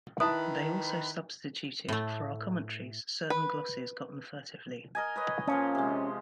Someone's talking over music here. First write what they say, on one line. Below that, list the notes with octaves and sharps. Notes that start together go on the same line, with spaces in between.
They also substituted for our commentaries certain glosses gotten furtively.
D#3 E4 B4 A5 D#6
A2 A3
B4
A#4 D#5 G#5
B4 C#5 D#5
A#2 F3 C#4 A#4
C3 G#3